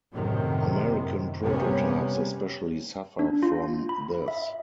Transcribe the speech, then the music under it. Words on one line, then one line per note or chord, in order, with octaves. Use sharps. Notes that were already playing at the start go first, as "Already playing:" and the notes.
American prototypes especially suffer from this.
F#2 A2 C3 D#3
C3 G3 A#3 B3 C#4
D4
F4
B5
E5